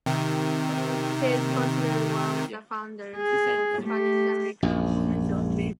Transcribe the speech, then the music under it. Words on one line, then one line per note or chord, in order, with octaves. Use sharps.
He is considered one of the founders of Spanish-American Modernism.
C3 D#3
G#4
A3 G4
A#1 F#2